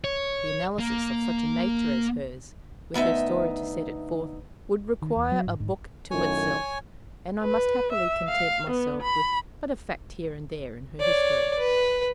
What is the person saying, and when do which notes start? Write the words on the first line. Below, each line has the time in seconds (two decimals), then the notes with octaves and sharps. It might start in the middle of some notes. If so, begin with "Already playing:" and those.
The analysis of such a nature as hers, with her story to set it forth, would require a book to itself, and I must happily content myself with but a fact here and there in her history.
0.04 C#5
0.79 A#3
2.94 D2 B3 D#4 E5
5.02 D#3
5.16 E2
5.32 F#3
5.47 G#2
5.60 G#2
6.11 F#2 A2 D#3 C#5 G#5
7.42 B4
7.93 E5
8.28 F5
8.70 B3
9.02 B5
10.99 C#5 D5
11.59 B4